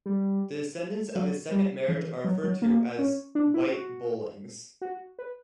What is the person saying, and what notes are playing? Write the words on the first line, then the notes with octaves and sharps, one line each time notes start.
The descendants of his second marriage are referred to as "White Bollings".
G3
F#3
G3
E3
F#3
F#3
A#3
C#4
D4
E4
F#4
F#4
B4